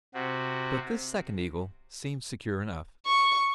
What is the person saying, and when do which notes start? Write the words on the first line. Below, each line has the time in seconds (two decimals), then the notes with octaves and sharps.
But this second eagle seemed secure enough.
0.14 C3 F#4
3.07 C#6